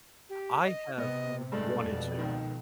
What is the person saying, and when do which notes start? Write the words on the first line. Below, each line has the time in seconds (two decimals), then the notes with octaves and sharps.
I have wanted to.
0.30 G4
0.65 D#5
0.98 C3 B3 D#5
1.52 G2 G#3 A3 D5
1.82 F2 B2
2.19 C#2 D#3